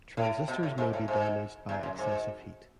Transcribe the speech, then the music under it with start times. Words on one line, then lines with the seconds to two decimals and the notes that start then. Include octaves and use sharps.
Transistors may be damaged by excessive heat.
0.17 A2
0.48 B2
0.63 A2
0.78 G#2
0.93 A2
1.08 G#2
1.69 E2
1.83 F#2
1.98 G#2